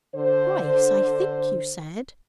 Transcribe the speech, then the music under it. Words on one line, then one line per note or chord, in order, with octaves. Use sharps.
"Twice, I think you said?"
D3 C5